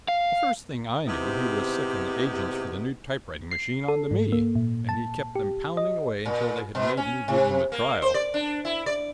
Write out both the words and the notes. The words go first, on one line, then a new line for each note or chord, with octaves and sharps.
The first thing I knew he was sicking the agents for the new typewriting machine on to me, and he kept them pounding away until they had made me give them a trial.
F5
G#2 C3 B3 D#4 E4 G4
C7
A4
G#2
A#3
A#2
A5
G4
D#5
A#2
B2
C#4
C3
A#3
C5
D5
D4
E4
D5